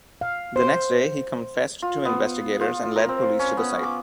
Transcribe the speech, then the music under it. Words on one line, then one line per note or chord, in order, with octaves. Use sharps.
The next day, he confessed to investigators and led police to the site.
F5
C5
F4
B3
F4
A#4
C4
C#4
B3
D6